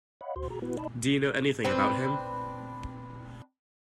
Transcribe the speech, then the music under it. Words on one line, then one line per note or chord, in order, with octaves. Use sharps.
Do you know anything about him?
C#5 D#5 F5 F#5 B5
D2 F#4 C5 C6
F#4 G#4 A#5
B3 E4 F#4 B4
D#4 D5 D#5 A5 B5
C4 D4 B4